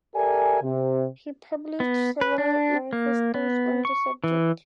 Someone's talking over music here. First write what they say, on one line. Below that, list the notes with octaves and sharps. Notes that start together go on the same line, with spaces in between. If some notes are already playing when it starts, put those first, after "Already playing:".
He published several manifestos on the subject.
G4 A4 A#4 D5 E5 G#5
C3
B3
B4
D4
A#3
B3
C#6
E3